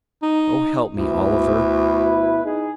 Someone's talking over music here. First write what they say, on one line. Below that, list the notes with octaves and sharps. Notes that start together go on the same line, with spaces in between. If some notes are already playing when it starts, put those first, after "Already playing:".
"Oh help me, Oliver."
D#4
D2 B2 E4 B4
D#4 G#4